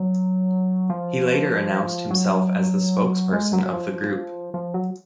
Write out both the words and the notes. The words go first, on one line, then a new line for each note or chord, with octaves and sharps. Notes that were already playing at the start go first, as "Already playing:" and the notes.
He later announced himself as the spokesperson of the group.
Already playing: F#3
F3
F#3
G#3
F#3
F#3
F3
F3
F#3